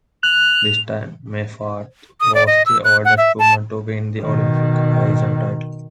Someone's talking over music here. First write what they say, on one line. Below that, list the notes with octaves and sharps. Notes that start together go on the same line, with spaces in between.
This time, Meyfarth was the oldest woman to win the Olympic high jump title.
F#6 F7
D#6
D5
D#5
E6
F#6
F#5
E5
A5
B2 D#3